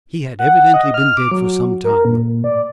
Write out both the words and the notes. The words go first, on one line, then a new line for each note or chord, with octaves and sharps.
He had evidently been dead for some time.
F#5
D#5
F6
D6
F#3
A#4
A#2
D5